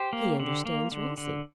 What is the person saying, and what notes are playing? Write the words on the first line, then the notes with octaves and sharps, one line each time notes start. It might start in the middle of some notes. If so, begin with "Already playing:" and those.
"He understands racing."
Already playing: G4 C5
A#3
D3
A#3
D3
D3